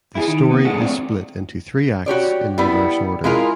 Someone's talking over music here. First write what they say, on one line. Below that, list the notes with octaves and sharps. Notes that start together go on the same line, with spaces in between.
The story is split into three acts in reverse order.
E4 G4 G#4
D#3
B3
A3 D4 G#4 F#5
A3 C4 D4
F#4 G4 C#5 D5
G3 B3 E4
G#3 E4 F4 G#4 A#4